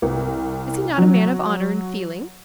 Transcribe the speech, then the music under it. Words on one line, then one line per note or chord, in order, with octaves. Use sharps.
Is he not a man of honour and feeling?
C2
F#3